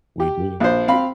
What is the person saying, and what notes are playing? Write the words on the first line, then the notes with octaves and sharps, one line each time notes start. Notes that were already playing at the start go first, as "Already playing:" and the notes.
We do.
G4
A#1 C5
C4 F5 B5